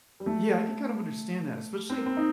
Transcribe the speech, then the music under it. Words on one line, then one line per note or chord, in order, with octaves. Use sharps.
Yeah, i I can kind of understand that, especially
G3
A3
C4
A#3
C4
D#4